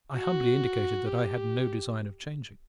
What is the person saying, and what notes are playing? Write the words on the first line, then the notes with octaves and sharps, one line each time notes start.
I humbly indicated that I had no design of changing.
F#4
G4